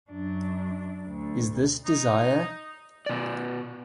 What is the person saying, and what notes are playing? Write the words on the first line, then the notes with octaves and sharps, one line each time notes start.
Is This Desire?
F#2 D4
D2
D#4
B2 D5